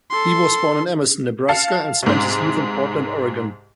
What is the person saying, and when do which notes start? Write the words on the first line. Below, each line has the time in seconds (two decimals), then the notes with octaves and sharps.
He was born in Emerson, Nebraska, and spent his youth in Portland, Oregon.
0.10 A4 C6
1.48 F5 A5 A6 C7 C#7
2.02 C2 G#2